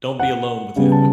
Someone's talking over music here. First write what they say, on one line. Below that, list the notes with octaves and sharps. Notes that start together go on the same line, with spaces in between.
don't be alone with him,
F#5
C#3 G3 B3
A5